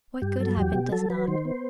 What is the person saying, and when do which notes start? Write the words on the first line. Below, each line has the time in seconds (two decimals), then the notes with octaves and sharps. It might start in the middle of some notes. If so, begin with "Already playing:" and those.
What good habit does not?
0.22 G2 G4
0.39 F#3 A4
0.57 E2 G4
0.74 B2
0.92 F#3 A4
1.10 F#3 B4
1.27 D#3 C5
1.45 B3